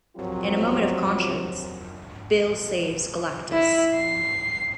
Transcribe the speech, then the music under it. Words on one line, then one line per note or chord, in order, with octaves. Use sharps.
In a moment of conscience, Bill saves Galactus.
F3 F#3 C4 F4 G4 A#4
E4
C7